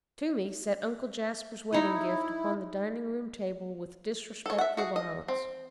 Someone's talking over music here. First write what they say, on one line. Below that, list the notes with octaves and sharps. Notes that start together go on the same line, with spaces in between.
Toomey set Uncle Jasper's wedding gift upon the dining room table with disrespectful violence.
D#4 E4 C#5 D#5
A4 C#5
E5 F#5
F#4 G#4 F#5
D#5
C4